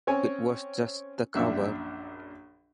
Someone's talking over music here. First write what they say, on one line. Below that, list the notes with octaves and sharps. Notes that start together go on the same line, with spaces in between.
It was just the cover.
C4 C#4 C#5 G#5
A#1 F#2 D4 E5